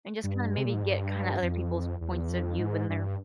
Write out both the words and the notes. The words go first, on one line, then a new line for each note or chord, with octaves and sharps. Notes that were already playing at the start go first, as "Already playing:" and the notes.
and just kind of maybe get kinda other people's points of view when they're
G2
C3
A#2
G#2
G2
F2
E2
F2
G#2
G2